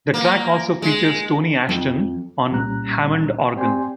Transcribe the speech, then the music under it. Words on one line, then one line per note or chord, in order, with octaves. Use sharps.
The track also features Tony Ashton on Hammond organ.
A#3
G#3
F2
C2 A#2 G3 C#4 A#5 F#6
C4 G4 D5 G5 G#5 C6